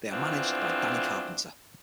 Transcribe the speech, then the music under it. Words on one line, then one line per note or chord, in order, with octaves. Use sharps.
They are managed by Danny Carpenter.
E3 F3 A3 B3 C4 D4